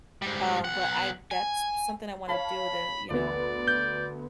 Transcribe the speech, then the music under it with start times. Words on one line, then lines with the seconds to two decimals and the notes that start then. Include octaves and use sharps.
um, but I that's s something I wanna do to, you know
0.22 G#2 G3
0.65 B1 F#5
1.31 G#5
2.29 C#5 F5 A5 B5
3.10 D2 B3 D5
3.68 G6